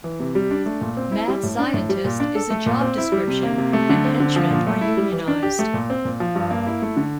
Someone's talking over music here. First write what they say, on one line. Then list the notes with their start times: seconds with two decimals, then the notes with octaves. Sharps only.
"Mad scientist" is a job description, and henchmen are unionized.
0.04 E3
0.20 C3
0.35 G3
0.51 D4
0.66 A3
0.81 A#2
0.97 C4
1.12 E4
1.28 G3
1.43 A2
1.59 D4
1.74 A2
1.89 G3
2.05 A#2
2.20 D4
2.35 A4
2.50 A3
2.66 A#2
2.81 C4
2.98 E4
3.12 G3
3.28 C3
3.43 A#3
3.58 C3
3.73 A3
3.89 D3
4.05 C4
4.20 D3
4.36 F3
4.50 A#2
4.67 A3
4.81 E4
4.97 G3
5.12 E3
5.28 D4
5.43 G4
5.59 A3
5.74 A#2
5.90 C4
6.05 A#2
6.20 F3
6.35 G2
6.51 A#3
6.67 E4
6.82 A3
6.97 D3